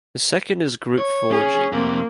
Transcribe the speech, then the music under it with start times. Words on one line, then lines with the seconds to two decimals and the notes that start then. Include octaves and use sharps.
The second is group foraging.
0.98 C#5
1.31 C#4 G#4
1.73 F2 C3 A#3